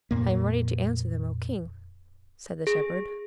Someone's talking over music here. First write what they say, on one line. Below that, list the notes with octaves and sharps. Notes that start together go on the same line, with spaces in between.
"I am ready to answer them, O king!" said the shepherd.
F2 A#2 A#3
G#4